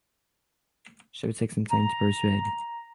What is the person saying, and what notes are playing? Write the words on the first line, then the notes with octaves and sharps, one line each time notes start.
She would take some time to persuade.
A#5